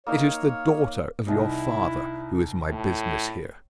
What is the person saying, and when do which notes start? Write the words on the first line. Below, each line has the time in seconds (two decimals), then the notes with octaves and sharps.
"It is the daughter of your father who is my business here."
0.07 A#3 D#4 C#5 F5
1.27 C2 D#4 E4
2.68 A2